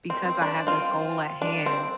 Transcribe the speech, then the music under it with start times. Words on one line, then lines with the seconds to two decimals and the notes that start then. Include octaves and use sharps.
"Because I have this goal at hand,
0.10 C4
0.25 C4
0.42 D4
0.67 C4 F4
1.42 D4
1.66 C4